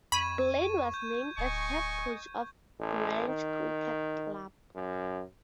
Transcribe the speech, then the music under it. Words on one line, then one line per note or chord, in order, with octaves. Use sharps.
Blain was named as head coach of Grange Cricket Club.
F2 B5 C#6 G#6 D#7
G6
D1 D#5 G#5 C#6
A1
D#3
F#2